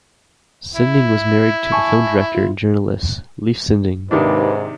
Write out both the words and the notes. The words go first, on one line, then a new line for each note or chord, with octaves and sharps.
Sinding was married to the film director and journalist Leif Sinding.
E4
G#5 A5 C#6
F4
D#2 G#2 C3 D#3 D4 B4